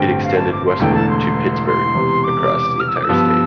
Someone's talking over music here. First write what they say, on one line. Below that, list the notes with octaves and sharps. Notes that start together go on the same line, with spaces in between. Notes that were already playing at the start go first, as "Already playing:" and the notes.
It extended westward to Pittsburgh; across the entire state.
Already playing: A1 G2 D3 A3 C4 G5
F5
A5
D6
C6
E1 E2 D3 A3 G5
A5
C6
C6
E1 E2 C3
D6
F6
E6
D6
E6
G2 F3 B3